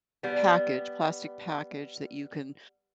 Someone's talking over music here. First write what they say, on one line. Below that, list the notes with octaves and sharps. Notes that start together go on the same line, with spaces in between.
package plastic package that you can,
G3 B3